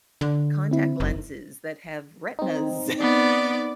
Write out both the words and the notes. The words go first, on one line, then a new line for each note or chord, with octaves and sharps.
contact lenses that have retinas
D3
C4 E4
F#1
C4 D#4
B3 D5